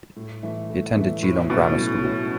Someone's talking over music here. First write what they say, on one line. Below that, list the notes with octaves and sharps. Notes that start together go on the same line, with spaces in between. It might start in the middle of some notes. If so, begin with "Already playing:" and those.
He attended Geelong Grammar School.
A2
E3 A3 E4
A2
E3 A3 E4
A2 F#3
B2 A3 C#4 F#4
F#3
A3 C#4 F#4